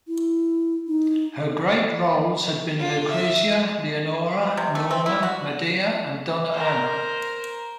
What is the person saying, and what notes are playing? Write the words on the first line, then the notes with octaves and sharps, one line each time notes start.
Her great roles had been Lucrezia, Leonora, Norma, Medea, and Donna Anna.
E4
D#4
F4
E5
C3
A3
C4
E4
F#4
A#4 C5